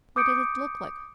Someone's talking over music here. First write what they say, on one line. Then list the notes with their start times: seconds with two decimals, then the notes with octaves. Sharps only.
"What did it look like?"
0.16 D6 D#6 G6 C#7 D7